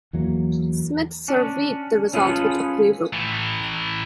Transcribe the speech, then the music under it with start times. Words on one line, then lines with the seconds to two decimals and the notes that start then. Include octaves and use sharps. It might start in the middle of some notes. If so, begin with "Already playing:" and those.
Smith surveyed the result with approval.
0.13 E2 E3 F#3 A#3
1.28 C#4 D4
2.13 C#4 F4 G#4 A4 B4
3.13 A2 E3